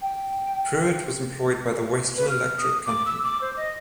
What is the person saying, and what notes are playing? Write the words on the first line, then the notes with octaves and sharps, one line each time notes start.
Pruitt was employed by the Western Electric Company.
G5
B4
F6
D#6
D6
E6
D6
C5
D#5